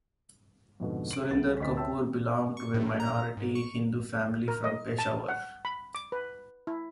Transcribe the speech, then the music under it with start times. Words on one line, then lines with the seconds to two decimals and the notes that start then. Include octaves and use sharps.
Surinder Kapoor belonged to a minority Hindu family from Peshawar.
0.80 F2 G#2 B2 D3
1.11 D7 F#7
1.30 C2 B3 A6
1.60 D2 D#5 B6
1.77 C#5 E5 G5 A5 E6
2.57 C#6
2.74 A2
3.00 A#5
3.37 G#2
3.55 C#6
4.48 A#4
4.64 D#5
4.99 A5
5.29 F#5
5.65 B5
5.95 D6
6.12 B4
6.67 E4